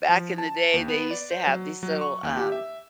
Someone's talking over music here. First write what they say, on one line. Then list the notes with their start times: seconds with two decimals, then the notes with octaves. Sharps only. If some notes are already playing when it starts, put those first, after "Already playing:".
Back in the day they used to have these little, um
0.09 F3
0.38 A5
0.74 D#2
0.88 B3
1.11 D5
1.31 C5
1.47 F#3
1.83 F#3
2.01 C#6
2.23 D#2
2.37 G4
2.52 E5